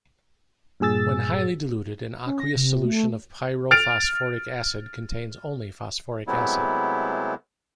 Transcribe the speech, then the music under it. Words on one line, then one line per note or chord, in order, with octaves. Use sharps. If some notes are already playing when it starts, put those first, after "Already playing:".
When highly diluted, an aqueous solution of pyrophosphoric acid contains only phosphoric acid.
G2 A#2 G#4 E6 A6
C#4
A#6
C3
A3
F6 A6 D7 F7
C3 F#3 G#3 A3 B3 E4